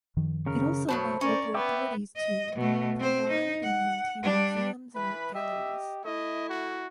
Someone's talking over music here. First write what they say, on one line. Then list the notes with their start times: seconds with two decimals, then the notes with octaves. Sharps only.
It also allowed local authorities to "provide and maintain museums and art galleries".
0.17 F#2 D#3 F3
0.46 C#3 A#4
0.89 B2 F#3 C5 A5 B5
1.21 C#4 A#4 D5
1.54 B3 E5 G5 D6
2.16 D#5
2.56 B2 A3
2.99 C4 C5
3.29 D#4
3.63 F#5
4.22 G3 D4
4.95 E3 B4 B5
5.35 G4 D#5 E5
6.05 A3 E4 D#5
6.49 F#4